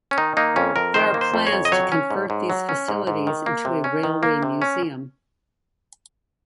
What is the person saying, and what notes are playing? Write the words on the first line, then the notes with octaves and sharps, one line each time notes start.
There are plans to convert these facilities into a railway museum.
C#4
D#3 D#4
A#3 D#4
F2 C#4
F2 A#4
D#3 C5
A#3
C5
F2
C#5
F2
D#5
F#3 C#5
C#4
G#2
G#2
F#3
C#4
G#2
G#2
D#3
A#3
C3
C#4
D#3
A#3
C3
C#4